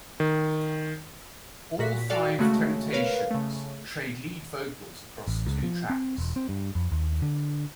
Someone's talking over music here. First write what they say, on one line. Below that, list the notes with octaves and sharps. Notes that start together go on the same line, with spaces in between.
All five Temptations trade lead vocals across the two tracks.
D#3
A#2 F#4 B6
F#4 A4 D5 F5
C#3 G#3 A3 F#4
A#4 B4 C#5 F5
C#3 A3
A1
C#2
F3
C4
E1
C4
G2
F2
D#2
D3